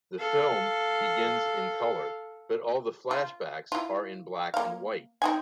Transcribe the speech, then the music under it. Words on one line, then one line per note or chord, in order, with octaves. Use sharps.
The film begins in color, but all the flashbacks are in black and white.
A4 F5
F4
E4 F4
A#3 F5
C4 D#4 G#5